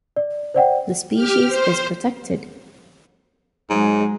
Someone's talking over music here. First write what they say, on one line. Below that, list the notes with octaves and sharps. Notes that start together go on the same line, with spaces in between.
The species is protected.
D5
C5 D5 F#5 G5
G4 F6
C5
G#2 F#3 G#3